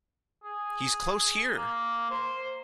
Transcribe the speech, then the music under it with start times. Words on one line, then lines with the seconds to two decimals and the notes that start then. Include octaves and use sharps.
He's close here!
0.44 G#4
1.57 A#3
2.10 C5